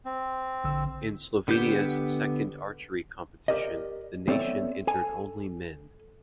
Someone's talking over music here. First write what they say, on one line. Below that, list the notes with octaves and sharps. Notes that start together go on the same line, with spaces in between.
In Slovenia's second archery competition, the nation entered only men.
C4
A#1 D3 E6
D3 B3 G4 G6
G4 A#4 D5 D#5
B3 C4 A4 C#5 D5 E5
A4 G#5